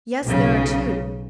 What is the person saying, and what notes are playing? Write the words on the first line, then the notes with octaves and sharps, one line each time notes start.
"Yes, there are two."
B1 C#3